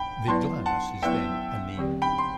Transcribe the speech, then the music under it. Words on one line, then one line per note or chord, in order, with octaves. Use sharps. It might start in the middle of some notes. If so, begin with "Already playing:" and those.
The glass is then annealed.
Already playing: G5 B5
F#3 B3 E4 B4 D5 A5 C6
F#5 A5
F#3 B3 E4 B4 D5 E5 G5
D3 F#3 C4 G4 D5
G5 B5
C6